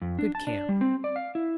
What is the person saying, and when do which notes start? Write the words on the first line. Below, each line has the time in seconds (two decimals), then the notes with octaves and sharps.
Good camp.
0.02 F2
0.19 D4
0.35 A5
0.47 D4
0.69 G3
0.81 C4
1.04 D5
1.16 F5
1.35 E4